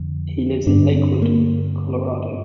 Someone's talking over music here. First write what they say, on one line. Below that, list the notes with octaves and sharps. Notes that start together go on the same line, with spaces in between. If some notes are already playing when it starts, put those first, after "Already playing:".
He lives in Lakewood, Colorado.
Already playing: F2 D3
G2 D3 D4
C4
A#3